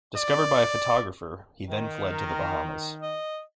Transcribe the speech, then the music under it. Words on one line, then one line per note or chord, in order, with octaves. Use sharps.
Discovered by a photographer, he then fled to the Bahamas.
D5
D#3
A#4
D#5